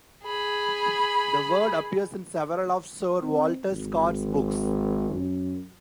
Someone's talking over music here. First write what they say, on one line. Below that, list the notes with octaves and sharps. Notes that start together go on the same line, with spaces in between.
The word appears in several of Sir Walter Scott's books.
G#4 B5
C4
G#1
F#2